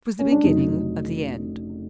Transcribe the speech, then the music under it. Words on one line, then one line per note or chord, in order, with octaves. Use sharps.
It was the beginning of the end.
C#4
D4
F1 F2 C#3 F#3 D#4